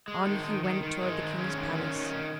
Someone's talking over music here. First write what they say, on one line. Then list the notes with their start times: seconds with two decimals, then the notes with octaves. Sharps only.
On he went toward the king's palace.
0.08 G#3
0.26 D#3
0.44 D#3
0.64 D#3
0.83 D#3
1.01 G#3
1.20 D#3
1.39 C#4
1.57 D#3
1.75 C#4
1.94 D#3
2.13 D#3